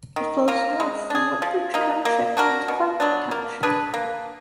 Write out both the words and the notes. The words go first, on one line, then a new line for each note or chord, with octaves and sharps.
It flows north from Woodbridge Township into Clark Township.
D#3
A#3 F4 A#4
G#3
D4 G#4
F3
A#3 D#4
A#3
D4 F#4 A#4
B2
F#3 B3 D4
A#3
D4 G#4 B4
A#3